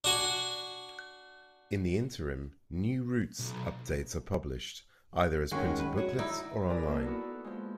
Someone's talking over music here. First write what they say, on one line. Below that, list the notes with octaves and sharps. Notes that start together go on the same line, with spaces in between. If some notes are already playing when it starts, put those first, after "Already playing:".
In the interim, "new routes" updates are published, either as printed booklets or online.
D4 F#4 G#5
B1
D#3 G#3 C#4 F#4
B4
F#4 C#5
D#4 E4 D5
A#4 B4 D5 G#5 A#5
A#3 A4
B3 D#4 E4 F#4 A4
F3 G#3